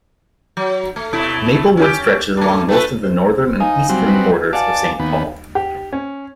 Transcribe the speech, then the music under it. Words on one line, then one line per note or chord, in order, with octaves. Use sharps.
Maplewood stretches along most of the northern and eastern borders of Saint Paul.
F#3
A3
B2 A3 E4
C#4 F#4 G4
A3 D4
A3 A4 B4
C5
D#4 F5 G#5
F#3 G3 C4
F#4 B4 D#5
D5 F5 F#5 G#5 A5
D#2 B3
G4
C#4